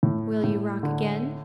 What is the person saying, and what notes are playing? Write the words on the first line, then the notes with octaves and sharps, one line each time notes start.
"Will you rock again?"
A2
A2
D3